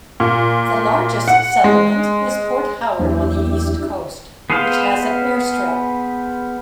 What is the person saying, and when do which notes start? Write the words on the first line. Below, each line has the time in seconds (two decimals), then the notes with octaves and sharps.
The largest settlement is Port Howard on the east coast, which has an airstrip.
0.20 A#2
1.28 F#5
1.64 G#3
2.99 E2 F#3 A#3 D4 E4 G4
4.50 B3 G#4 B4 C5 F5